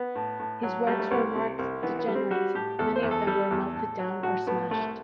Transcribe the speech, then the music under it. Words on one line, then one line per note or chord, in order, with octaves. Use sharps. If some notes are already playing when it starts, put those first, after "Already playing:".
His works were marked degenerate, many of them were melted down or smashed.
Already playing: B3
A2
A2
F#3
G3 A3
A3
C2 B3
C3
C2
E3 B3
B3
G3
C4
G3 F#4
A2 G4
E2 A4
C5
E2
A4
G3 A4
E2
A2
F#3
A2 F#4
A2 B3
C2 A3